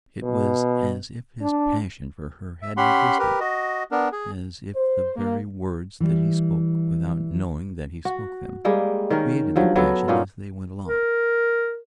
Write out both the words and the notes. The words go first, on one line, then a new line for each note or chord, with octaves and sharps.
It was as if his passion for her hadn't existed; as if the very words that he spoke, without knowing that he spoke them, created the passion as they went along.
B2
D4
E5
C#4 G4 F#5 B5 C6
G4 A#4 B4
F#4 D#5
B3 D4 A#4
G#4
C5
A#3
E3 G3
F#4
G3 G#3 A#3
D#3 C#4 A#4
G2 F3 F#3
F#3 B3 A4
A#2 C#4 D#4 F4
A#4